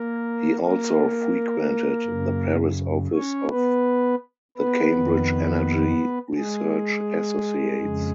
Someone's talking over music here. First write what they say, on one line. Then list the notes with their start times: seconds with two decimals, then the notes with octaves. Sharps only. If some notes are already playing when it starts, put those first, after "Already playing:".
He also frequented the Paris office of the Cambridge Energy Research Associates.
Already playing: A#3 A#4
0.64 A#3 A#4
2.07 F#2 C#3
3.15 C#4 C#5
3.51 B3 B4
4.57 B3 B4
4.93 F2 D#3
6.37 G#3 G#4
7.81 F2 C#3